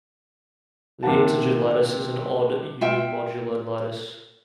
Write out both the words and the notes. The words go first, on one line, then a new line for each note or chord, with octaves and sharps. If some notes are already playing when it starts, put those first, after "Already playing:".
The integer lattice is an odd unimodular lattice.
C3 D#3 A#3 F#5 A5
F4 E5 G5